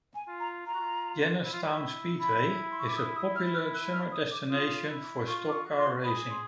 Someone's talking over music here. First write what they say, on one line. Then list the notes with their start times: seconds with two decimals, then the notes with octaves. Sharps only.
Jennerstown Speedway is a popular summer destination for stock car racing.
0.15 G#5
0.28 F4
0.40 A#5
0.66 F4 A#5
0.74 F#4
0.80 F4
1.44 E4
1.52 F4
1.63 E4
2.20 E4 B5
2.61 B5
2.71 C6
2.79 C#6
2.88 D6
2.96 D#6
3.15 D#6
3.35 F6
3.54 F6
3.74 F#6
3.93 F6
4.12 D#6
4.31 D6
4.50 F4 D#6
4.89 E4
5.27 F4 C#6
5.49 D6
5.53 C#6
5.66 F#4
5.76 F4 C6
5.86 F#4
6.04 G#4 B5
6.30 C6